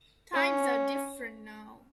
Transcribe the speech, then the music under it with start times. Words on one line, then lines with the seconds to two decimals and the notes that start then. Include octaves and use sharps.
Times are different now.
0.34 C#4